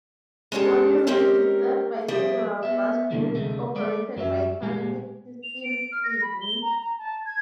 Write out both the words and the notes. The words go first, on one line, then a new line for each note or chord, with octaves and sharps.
Bonnyrigg is served by several bus routes operated by Transit Systems Sydney.
G#3 C#4 D4 G4 A4
G#3 C4 C#4 D#4 G4 A#4
F3 G3 G4 G#4 E5
B3 E5
B2 D3 E3 G3 A#3
D2 C3 G#3 A3
G#3 D5
F#2 F#3 C#4 E5
A#2 G#3 G4 G#4
F7
D7
F6
A#6
B5
G7
A#5
A#5
A5
G#6